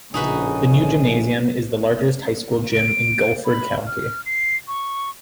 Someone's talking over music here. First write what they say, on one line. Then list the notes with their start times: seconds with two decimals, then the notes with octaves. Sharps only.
The new gymnasium is the largest high school gym in Guilford County.
0.14 A#1 A2 C#3 D#4 F#4 B4 G#5
2.72 D7
3.45 B5
3.87 F6
4.26 C7
4.68 C#6